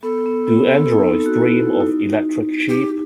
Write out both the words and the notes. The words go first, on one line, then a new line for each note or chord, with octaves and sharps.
Do Androids Dream of Electric Sheep?
B3 A4
B3
B3
C4
D#4
F#4
E4
D#4
G4